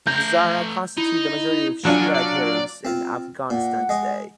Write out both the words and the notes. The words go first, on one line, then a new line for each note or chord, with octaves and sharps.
The Hazara constitute the majority of Shia adherents in Afghanistan today.
A3 A#5 G6
D#4 E4
D3 F#3 D4 F4 G#5 C#7
D5
C4 F4
A#2 F#5
G#3 D#5